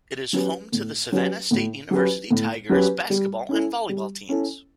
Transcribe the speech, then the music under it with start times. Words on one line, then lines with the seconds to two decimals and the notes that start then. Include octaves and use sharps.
It is home to the Savannah State University Tigers basketball and volleyball teams.
0.33 F#3 C#4 G4 B4
0.72 A2
1.12 F#3 C#4 G4 B4
1.51 A2
1.91 F#3 C#4 G4 B4
2.30 A2
2.69 F#3 C#4 G4 B4
3.10 G3
3.49 C#4 E4 A4
3.89 G3
4.29 C#4 E4 A4